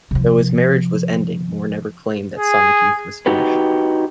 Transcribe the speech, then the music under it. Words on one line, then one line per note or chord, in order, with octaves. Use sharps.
Though his marriage was ending Moore never claimed that Sonic Youth was finished.
C3 F3
G#4
D#4 F#4 G4 B4